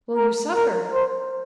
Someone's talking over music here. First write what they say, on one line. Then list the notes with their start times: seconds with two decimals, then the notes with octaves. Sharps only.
"Will you suffer?"
0.16 A#4
0.55 A#4
0.93 C5